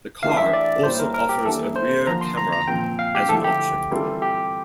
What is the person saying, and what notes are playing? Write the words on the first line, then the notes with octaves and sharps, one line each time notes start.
The car also offers a rear camera as an option.
E3 A3 D4 G4 A#4 F5
E5
D5
A2 G3 A#3 C5
A#4
A#4
G4
E3 A#3 D4 A4
C5
D3 F3 A#3 F4 A#5
C6
A#5
A#5
A#2 F3 C4 F4 G5
F5
G4
D3 F3 A3 E4 A4
G4
E3 G3 C4 F4 A4
G4